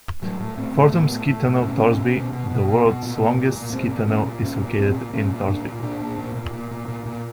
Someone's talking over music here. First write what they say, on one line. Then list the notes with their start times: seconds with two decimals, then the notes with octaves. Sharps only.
Fortum Ski Tunnel Torsby, the world's longest ski tunnel, is located in Torsby.
0.22 A2 F#3
0.40 A2
0.57 A2 C4
0.75 A2
0.92 A2 B3
1.10 A2
1.27 A2
1.45 A2
1.62 B2 C#4
1.80 B2
1.98 B2
2.15 B2
2.32 B2
2.50 B2
2.67 B2
2.85 B2
3.03 A#2
3.20 A#2
3.37 A#2
3.55 A#2
3.73 A#2 C4
3.90 A#2
4.07 A#2 C#4
4.25 A#2
4.43 A#2 C#4
4.60 A#2
4.78 A#2 C4
4.95 A#2
5.13 A#2 C#4
5.30 A#2
5.47 A#2 D4
5.65 A#2
5.83 A#2 D4
6.00 A#2
6.18 A#2
6.35 A#2
6.53 A#2
6.71 A#2
6.88 A#2
7.06 A#2